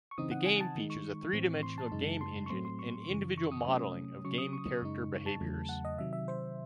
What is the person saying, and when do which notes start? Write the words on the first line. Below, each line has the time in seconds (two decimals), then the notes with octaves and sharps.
The game features a three-dimensional game engine and individual modeling of game character behaviors.
0.11 C#6
0.18 C#3 E3 C4 D#4 D#6
0.31 F#5
0.46 G#5
0.61 A5
0.76 D#3 G#3 D#4
0.90 C#6
1.33 A2 E3 C4
1.63 C6
1.78 A5
1.92 F#2 C#3 G#3 D#4
2.21 C6
2.46 C#6
2.50 A2 F#3 A3 C4 C6
2.65 C6
2.79 C#6
3.08 F#2 C#3 E3
3.38 C#6
3.52 D#6
3.66 C3 F#3 A3 C#4
4.25 C#3 F#3 C#4 C#6
4.38 D#6
4.53 C#6
4.82 F#2 C#3 G#3 D#4
5.26 A5
5.40 E2 C#3 F#3 A3
5.69 F#5
5.85 D#5
5.98 C3 D#3 F#3 E5
6.13 E5
6.28 C5